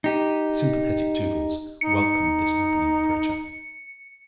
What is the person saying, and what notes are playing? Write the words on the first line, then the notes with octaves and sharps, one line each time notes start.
The sympathetic Toodles welcomed this opening for a chuckle.
D#4 G4
D#4 C#7